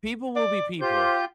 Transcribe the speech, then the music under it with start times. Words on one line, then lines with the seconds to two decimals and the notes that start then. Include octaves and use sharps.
"People will be people
0.36 D5
0.81 F4 G4 C5 G6